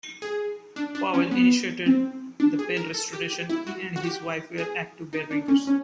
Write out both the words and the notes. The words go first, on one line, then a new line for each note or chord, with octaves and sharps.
Powell, initiated the bell restoration; he and his wife were active bellringers.
G#4
D4
D4
C#4
B3
C4
D4
G#4
A#4
A4
G4
G4
E4
F#4
F#4
G4
G#4
D#4
D4
C#4
C#4